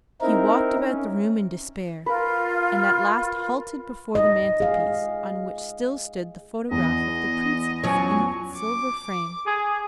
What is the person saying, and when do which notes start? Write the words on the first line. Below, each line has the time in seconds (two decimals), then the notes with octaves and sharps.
He walked about the room in despair, and at last halted before the mantelpiece on which still stood the photograph of the Princess in its silver frame.
0.21 C4 D#4 E4 A#4
0.78 C#4
2.06 F4 A#4 B4
4.15 D#5
4.60 G#4 F5
6.71 E2 D#5
7.84 F3 F#3 C#4 G#5 C#6
8.56 D6
9.46 G#4